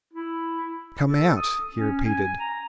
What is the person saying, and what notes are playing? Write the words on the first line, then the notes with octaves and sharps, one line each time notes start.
"Come--out," he repeated.
E4
A4
D#6
C#4
G#5
A#5